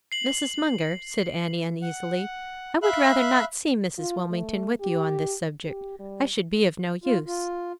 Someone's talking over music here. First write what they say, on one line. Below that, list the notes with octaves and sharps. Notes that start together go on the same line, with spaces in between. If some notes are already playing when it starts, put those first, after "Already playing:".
"Mrs. Munger," said Annie uneasily, "I would rather not see Mrs. Wilmington with you on this subject; I should be of no use."
C7 F#7
F#5
E5 F5 B5 F#6
F4
A3
G4
G4
G3
F4
F4